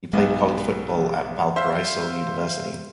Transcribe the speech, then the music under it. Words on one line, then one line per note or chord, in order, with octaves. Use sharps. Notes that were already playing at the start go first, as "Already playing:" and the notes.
He played college football at Valparaiso University.
B1 G#3 B3
C5 E5 F5